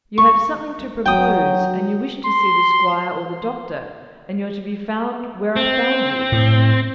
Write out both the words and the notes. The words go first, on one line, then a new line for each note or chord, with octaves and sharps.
You have something to propose, and you wish to see the squire or the doctor, and you're to be found where I found you.
C#6
F#3 G5 D#6
C6
C4
A2